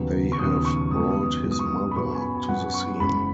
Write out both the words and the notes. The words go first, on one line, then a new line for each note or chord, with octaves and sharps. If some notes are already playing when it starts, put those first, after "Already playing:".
They have brought his mother to the scene.
Already playing: D#2 C#3 F#3 B3
C#6
D#2 C#3 F#3 B3 D#6
C#6
F#2 D#3 G#3 B3 D#6
D#6
F#2 D#3 G#3 B3
D#6
C#6
D#6
B5
F#2 F#3 B3 C#6
G#5
B5
G#5
F#2 F#3 B3 F#5
C#6
F#1 F#2 C#3 G#3 B5